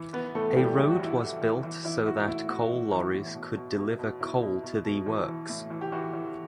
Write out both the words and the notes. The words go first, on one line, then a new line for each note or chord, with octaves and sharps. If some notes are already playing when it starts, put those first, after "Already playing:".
A road was built so that coal lorries could deliver coal to the works.
Already playing: E3
E3 B3 B4
A2 A3 A4
E3 G3 G4
A2 G4
F#4
E3 E4
E3 F#4
E3
E3
E3 E4
E3 F#4
A2 E4
A2 F#4
E3
E3
A2
B2
B2
B2
B2
B2 E4
B2
B2
B2
E3
E3
A2
E3
G4
E3 F#4
E3